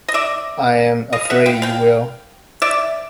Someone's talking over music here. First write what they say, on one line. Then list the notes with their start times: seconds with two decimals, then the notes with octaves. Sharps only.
I am afraid you will.
0.08 D#5
0.14 D5 E5
1.13 D#5 F5
1.25 F5
1.30 E5 F#5
1.46 F5 G5
1.62 F5 G5
2.62 D5 E5